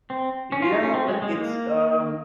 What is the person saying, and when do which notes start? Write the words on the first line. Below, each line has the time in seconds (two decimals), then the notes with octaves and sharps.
Yeah, but it's, um
0.10 C4
0.52 C#4
0.62 F4
0.72 D#4
0.83 C#4
0.94 C4
1.08 G#3
1.22 G#3
1.35 A#3